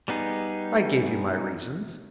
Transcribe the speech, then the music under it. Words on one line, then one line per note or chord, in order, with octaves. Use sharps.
"I gave you my reasons."
G3 B3 D#4 G#4